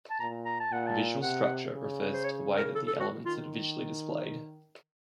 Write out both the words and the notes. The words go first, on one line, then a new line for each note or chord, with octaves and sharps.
Visual structure refers to the way that the elements are visually displayed.
A5
A#2 A#5
A#5
A5
A#2 F#5
A5
C3 F#5
C#3
C5
C#5
A#4
A4
A4
F#4
D#3 F4